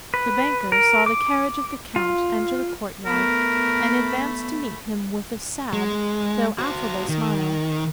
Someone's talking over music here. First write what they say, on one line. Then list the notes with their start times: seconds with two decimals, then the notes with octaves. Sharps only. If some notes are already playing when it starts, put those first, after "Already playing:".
The banker saw the carriage of the count enter the court yard, and advanced to meet him with a sad, though affable smile.
0.14 B4
0.72 A#4
1.06 D6
1.96 F4
3.06 A3 B3 A#4 B5
5.73 G#3
6.59 F#4 C5
7.09 D#3